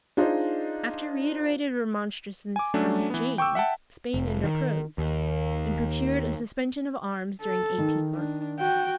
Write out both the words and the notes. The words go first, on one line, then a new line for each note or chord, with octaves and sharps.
After reiterated remonstrances from James, Spain interposed, and procured a suspension of arms during eighteen months.
D4 D#4 F4 G#4 C5 D#5
G#5 D6
F#3 A3 C#4 D4
E3 B3
G5 C#6 D6 E6
E5 F#5 G5 A5
F1
D#3
D#2
A4
D#3
D4
F#4 G5